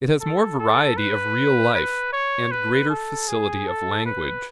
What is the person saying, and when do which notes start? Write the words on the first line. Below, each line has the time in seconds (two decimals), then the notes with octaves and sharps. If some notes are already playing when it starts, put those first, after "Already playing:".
It has more variety of real life, and greater facility of language.
0.20 A4
0.59 A4
0.97 B4
1.75 B4
2.13 C#5
2.51 B4
2.90 A4
3.28 G#4
3.68 A4
4.06 B4